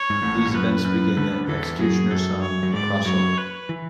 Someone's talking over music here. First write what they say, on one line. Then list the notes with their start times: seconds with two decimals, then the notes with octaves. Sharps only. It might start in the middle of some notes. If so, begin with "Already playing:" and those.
These events begin the "X-Cutioner's Song" crossover.
Already playing: C#5
0.10 G#2
0.22 A1 A2
0.46 G#2
0.54 F#2 B4
0.85 F#2
1.17 D2 D3
1.48 E2 E3 A4
1.79 F#2 F#3 G#4
2.11 F#2 F#3 A4
2.42 C#5
2.63 F#3
2.74 G#2 G#3 D5
3.05 F#2 F#3 C#5
3.38 B4
3.69 E3